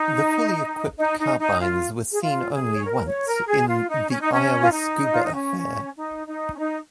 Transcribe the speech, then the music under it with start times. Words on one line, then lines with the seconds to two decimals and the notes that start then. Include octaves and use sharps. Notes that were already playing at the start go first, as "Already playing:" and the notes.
The fully equipped carbines were seen only once, in "The Iowa Scuba Affair".
Already playing: D#4
0.98 D#4
1.19 D#4
1.39 D#4
1.60 F4
2.12 G#4
2.22 F4
2.53 G#4
2.75 C#5
2.85 A#4
3.06 C#5
3.26 A#4
3.48 G#4
3.67 F4
3.88 D#4
4.10 C#4
4.21 D#4
4.32 C#4
4.61 F4
4.72 D#4
5.12 F4
5.23 D#4
5.34 C#4
5.97 D#4
6.27 D#4
6.54 C#4
6.58 D#4